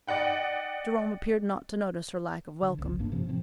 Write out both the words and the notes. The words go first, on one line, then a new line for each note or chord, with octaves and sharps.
Jerome appeared not to notice her lack of welcome.
D5 D#5 F#5 G5
D3
G#1 C#2
A1 G2 A#3 D4
C3 F3 C#4
A2 F3 C4